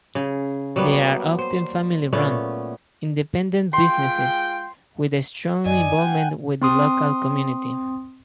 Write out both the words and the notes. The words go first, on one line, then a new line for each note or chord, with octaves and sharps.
They are often family-run, independent businesses, with a strong involvement with the local community.
C#3 G#4
F#3 G3 A#3 B3
C5
A#2 A3 B3 C#4
G#3 F4 G5 C6
F#2 D5 D#5 G#5
F#5 G5
C4 C6 D#6